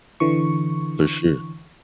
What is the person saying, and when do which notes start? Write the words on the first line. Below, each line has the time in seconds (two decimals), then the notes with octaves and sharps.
For sure.
0.20 D3 E3 C#6